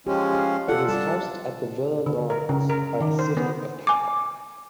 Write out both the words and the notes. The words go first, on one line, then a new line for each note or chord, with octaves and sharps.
It is housed at the Villa Lawrance by the City of Pau.
F3 G#3 C#4 G4
F5
F4 A4 D5 F#5
G3 D4 A5
D3
A#4
C#3
A#4
D#3
C5
B3
G#5 D6